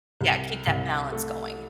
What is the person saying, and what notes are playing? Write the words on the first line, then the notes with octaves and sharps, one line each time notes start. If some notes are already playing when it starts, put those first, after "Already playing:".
yeah, keep that balance going,
C2
C2
A3